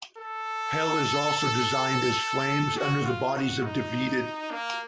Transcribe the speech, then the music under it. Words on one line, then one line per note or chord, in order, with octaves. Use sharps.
Hell is also designed as flames under the bodies of defeated.
A4
F#4
F4
F#4
D#4
A#3